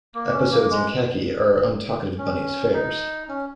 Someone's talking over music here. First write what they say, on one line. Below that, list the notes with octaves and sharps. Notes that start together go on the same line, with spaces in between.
Episodes in khaki are Untalkative Bunny's fairs.
A#3
C#4
A#3
G#3
C#4
D#4
C#4